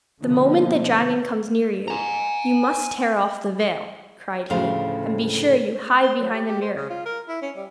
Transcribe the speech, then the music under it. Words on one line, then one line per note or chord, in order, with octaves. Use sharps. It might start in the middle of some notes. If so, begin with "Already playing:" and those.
'The moment the dragon comes near you, you must tear off the veil,' cried he; 'and be sure you hide behind the mirror.
B2 D3 F3 A#3 C4
G#5 A#5
D2 A2 C#3 F3 C5 F5
C5
F#3
G4
G4
C5
C#3
F4
A#4
E4
C#4
G3